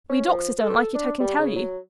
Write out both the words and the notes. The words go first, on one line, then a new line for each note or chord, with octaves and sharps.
We doctors don't like it, I can tell you!'
C#4
F3
A4
D4
G3
C#3
F#3